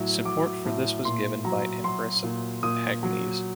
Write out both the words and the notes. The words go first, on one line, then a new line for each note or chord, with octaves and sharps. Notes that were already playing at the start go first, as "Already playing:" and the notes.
Support for this was given by Empress Agnes.
Already playing: A2 F#3
F#3 D6
A2
A#2 C6
F#3 A#5
F#3 C6
A#2
A#2 D#6
F#3